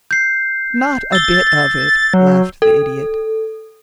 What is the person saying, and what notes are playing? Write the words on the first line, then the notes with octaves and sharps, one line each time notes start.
"Not a bit of it," laughed the Idiot.
G6 C7
E6 A6 G7
F#3
A4